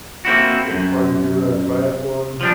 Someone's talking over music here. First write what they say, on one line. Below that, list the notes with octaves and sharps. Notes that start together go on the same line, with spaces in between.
what, part of your, uh, triathlon,
A#3 C4 E4 F#4
F#2
F3 G3 D4